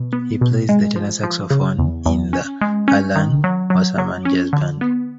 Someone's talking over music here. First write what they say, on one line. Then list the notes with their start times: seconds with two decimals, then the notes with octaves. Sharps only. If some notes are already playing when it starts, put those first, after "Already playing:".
He plays the tenor saxophone in the Alan Wasserman Jazz Band.
Already playing: B2
0.13 B3
0.41 B2
0.69 G#3
0.96 F3
1.23 F3
1.50 C#3
1.79 E2
2.06 E2
2.33 C#4
2.61 G#3
2.88 C#4
3.16 D#3
3.44 F#3
3.70 F#3
3.98 F#3
4.25 C#4
4.53 D3
4.81 B3